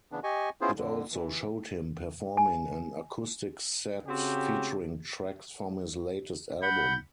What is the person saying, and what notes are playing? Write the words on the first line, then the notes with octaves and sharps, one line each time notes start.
It also showed him performing an acoustic set featuring tracks from his latest album.
C#3 E3 B3 D4
G4 D#5 G#5 C#6
B3 C#4 E4 F4 G#4 C5
F2 D3
E3
G#5
C#3 C4 F#4 G4
F#5 B5 G6